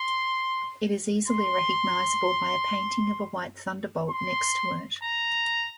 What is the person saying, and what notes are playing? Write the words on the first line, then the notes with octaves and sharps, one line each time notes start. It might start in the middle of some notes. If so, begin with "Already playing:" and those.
It is easily recognizable by a painting of a white thunderbolt next to it.
Already playing: C6
C6
C6
A#5